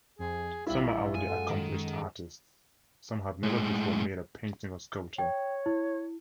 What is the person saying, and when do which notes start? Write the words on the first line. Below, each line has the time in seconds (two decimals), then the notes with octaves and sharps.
Some are already accomplished artists; some have never before made a painting or sculpture.
0.19 F2 G#4
0.67 A#1 G3 E4 F4 E5 F#7
1.15 F#2 G#3 G#5
1.28 A4 F#5
1.49 D#3
3.43 A2 G#3
5.18 C#5 G5
5.66 E4